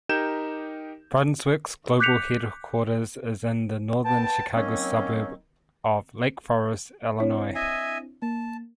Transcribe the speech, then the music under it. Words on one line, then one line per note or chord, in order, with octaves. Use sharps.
Brunswick's global headquarters is in the northern Chicago suburb of Lake Forest, Illinois.
D#4 G4 A#4 G6 E7
D6 F#6 G6 B6 C#7 F7
B3 G5 A5
D#3 F#3 A#3 C4 C#4
C4 D4 E4 C#5
D#5 E5 G#5
A#3 A5